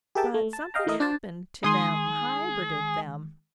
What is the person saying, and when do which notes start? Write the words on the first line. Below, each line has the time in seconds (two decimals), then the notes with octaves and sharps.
But something happened to them, hybrided them.
0.15 G4 G#4 A#4 E5 G5 A5
0.34 A3
0.53 A5
0.74 D#5 F5 G5 A#5
0.86 E3 A3 E4 A#4 D#5
1.00 D4 C5 D5 A5
1.64 D#3 G#3 G#4 C6 D#6